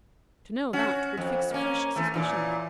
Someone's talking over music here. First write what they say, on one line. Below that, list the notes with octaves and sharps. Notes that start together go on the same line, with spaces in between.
To know that would fix fresh suspicion.
C#4 F#4
F2
A#3 C#4
E3 A3
A#2 E3